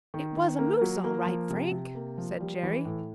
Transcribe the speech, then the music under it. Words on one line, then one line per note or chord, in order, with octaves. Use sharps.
"It was a moose, all right, Frank!" said Jerry.
D#3
D#3
A#3
F#3
A#3
F3
C3
C3
A#3
F3
G3
E3
A2